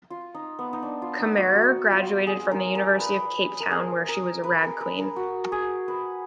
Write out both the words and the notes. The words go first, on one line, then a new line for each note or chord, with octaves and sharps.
Camerer graduated from the University of Cape Town where she was Rag Queen.
F4
D#4
B3
D#4
D4
F4
D#4
F#4
F#4
F4
G#4
A#4
A#4
B4
A#4
G#4
A#4
B4
A#4
B4
A#4
F#4
G#4
B4